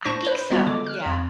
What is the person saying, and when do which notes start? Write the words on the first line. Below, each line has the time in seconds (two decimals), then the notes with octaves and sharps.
I think so, yeah.
0.05 A2 D4 C5 C#6 A#6
0.26 B4 C5 B5
0.51 G3 G#3 B3 F4 F#4
0.66 D3 G#3 D6
0.86 F6 F#6
1.06 F2